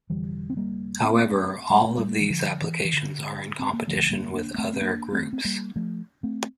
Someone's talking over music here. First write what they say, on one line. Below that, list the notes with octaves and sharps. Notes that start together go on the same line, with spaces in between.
However, all of these applications are in competition with other groups.
F1 F2 D3 E3 G3
C4
G3 A#3
A3 C4
G3
A3
G3 A#3
E3
D3 F3
E3
E3
D3
C4
A#3
E1 D2 D3 F3 A3
G3 A#3
A#3 D4
A#3
A3 C4
C4
A#3 D4
A3 C4
C4
G3 A#3
F3 A3
A3 C4